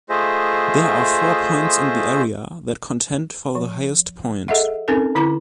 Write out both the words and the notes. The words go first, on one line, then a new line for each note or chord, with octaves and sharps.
There are four points in the area that contend for the highest point.
A3 F4 G#4 C5 D#5 E5
F3
G#4 A4 D#5 E5 F#5
C4 C#4 D#4 A4 A#4
D3 E4 A#5 D6